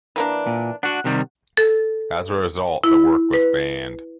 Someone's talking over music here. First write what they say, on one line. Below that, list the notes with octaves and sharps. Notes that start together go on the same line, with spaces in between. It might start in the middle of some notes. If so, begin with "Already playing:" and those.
As a result the work was banned.
E3 A#3 D4
A#2
D4 F#4 F#5
C3 D#3 G3
A4
E4
B4